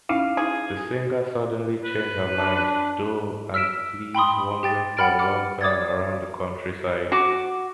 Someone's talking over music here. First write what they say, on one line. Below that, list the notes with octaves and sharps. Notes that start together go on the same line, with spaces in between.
The singer suddenly change her mind, though, and flees wandering for a long time around the countryside.
C#4 D#4 E4 F5
D#4 E4 G#4
B4
D4
E6 F6 B6 D7 E7
G5 B5 C6 D#6
G4 G5 A6
F#5 G5 B5 F6 A6 D7
D6 F6 C#7
D5 D6 D#6 G#6 A6
F#4 D6